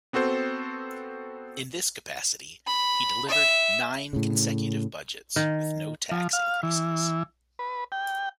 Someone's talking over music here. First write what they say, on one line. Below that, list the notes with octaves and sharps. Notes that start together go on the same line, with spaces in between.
In this capacity, he delivered nine consecutive budgets with no tax increases.
B3 C4 F#4 A4 C5
B5
E5
A2 C#3
D#3
F3
F5
E3
B4
G5